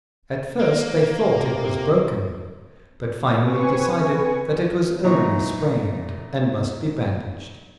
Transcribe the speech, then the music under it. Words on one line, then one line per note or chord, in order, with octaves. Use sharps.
At first they thought it was broken, but finally decided that it was only sprained, and must be bandaged.
A#3
C3
C4 B4 G#5 C#6
A#2 E3 F#3 D#4 A#5 C#6